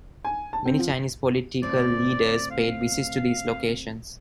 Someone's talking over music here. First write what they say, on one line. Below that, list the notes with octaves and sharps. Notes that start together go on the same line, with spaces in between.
Many Chinese political leaders paid visits to these locations.
G#5
A5
C4
F3
D2 A2 C4 D5
F5